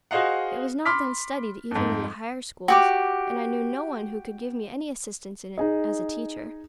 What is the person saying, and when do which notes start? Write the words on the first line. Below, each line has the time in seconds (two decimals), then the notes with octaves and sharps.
It was not then studied even in the higher schools, and I knew no one who could give me any assistance in it, as a teacher.
0.11 F#4 G#4 C5 D#5 F5 F#5
0.85 B5 C6 D6 F6 B6
1.71 F2 G#2
2.68 F#4 G4 D6
5.58 D#4 G#4 D#5